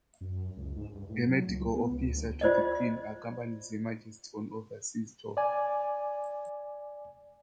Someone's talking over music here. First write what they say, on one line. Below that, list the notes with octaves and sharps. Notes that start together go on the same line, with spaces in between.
A Medical Officer to the Queen accompanies Her Majesty on overseas tour.
F#2
C#2
G#2
G2
A2
F#3
C#2
B3
C#2
D2
F4 C5 D5 D#5
D5 G#5